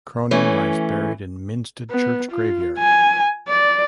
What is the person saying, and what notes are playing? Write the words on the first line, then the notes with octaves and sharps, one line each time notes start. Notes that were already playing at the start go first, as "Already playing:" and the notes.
Cronin lies buried in Minstead Church graveyard.
E3 A3 C#4
B3
F4
G#5
D5